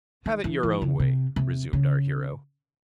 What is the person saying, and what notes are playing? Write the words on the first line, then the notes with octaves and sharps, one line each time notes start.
"Have it your own way," resumed our hero.
D#3
E3
E3
C#3
C3
C3
C#3